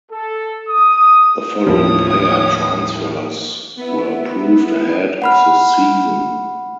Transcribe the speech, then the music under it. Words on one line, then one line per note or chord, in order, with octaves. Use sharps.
The following player transfers were approved ahead of the season.
A4
D#6
D#2 A2 F3 C#5 D#6
B3 E4
F#5 B5 F6